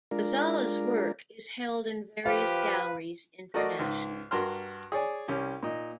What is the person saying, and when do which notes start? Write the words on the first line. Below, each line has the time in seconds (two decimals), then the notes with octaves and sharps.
Ghazala's work is held in various galleries internationally.
0.11 G#3 D4 F4 A#4
2.26 F3 G4 B4 F5
3.54 A3 F#4 A#4 D5 D#5
3.79 C#2 G#2
4.31 G2 F#4 A#4 C6 F6
4.92 G#4 C#5 D5 G#5
5.28 C2 C#4 G4
5.63 A#2 D#4